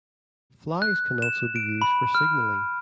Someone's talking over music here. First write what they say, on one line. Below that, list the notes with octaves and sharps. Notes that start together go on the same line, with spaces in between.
Flags can also be used for signaling.
F#6
E7
D7
B5
F6